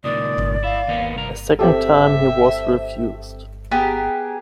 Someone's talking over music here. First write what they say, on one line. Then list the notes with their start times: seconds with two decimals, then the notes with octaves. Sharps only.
A second time he was refused.
0.04 C#2 A#2 D#3 D5 D#6
0.64 E4 F5
0.88 D#2 A#3 B3
1.15 C2 A#4
1.59 C4 G4 A4 E5
3.71 B3 G4 G#4 A#4